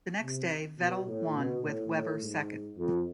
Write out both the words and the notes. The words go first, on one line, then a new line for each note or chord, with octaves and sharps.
The next day, Vettel won, with Webber second.
C3
B2
A2
B2
A2
A2
G#2
F2